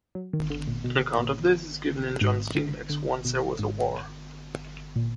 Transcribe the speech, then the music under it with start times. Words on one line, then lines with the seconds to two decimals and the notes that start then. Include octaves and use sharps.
An account of this is given in John Steinbeck's Once There Was a War.
0.15 F#3
0.33 D#3
0.50 D3
0.68 A#2
0.84 B2
1.19 A#2
2.21 G#2
2.55 D3
2.89 D3
3.25 B2
3.59 G#2
4.96 A#2